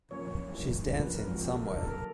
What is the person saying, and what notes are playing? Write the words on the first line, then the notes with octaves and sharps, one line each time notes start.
She's dancing somewhere.
F3 A#3 C#4 C#5
E3 G3 A#3
D3 F3 A#3 C#4
B4
A#4
F3 G#3 C4
F#4
G4
A4
D3 F#3 A#3 A#4
A4
A#4